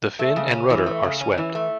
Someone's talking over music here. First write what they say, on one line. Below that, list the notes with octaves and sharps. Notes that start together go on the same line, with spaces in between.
The fin and rudder are swept.
A3
C#3
C#4
E3
A3
C#3
C#4
E3
A3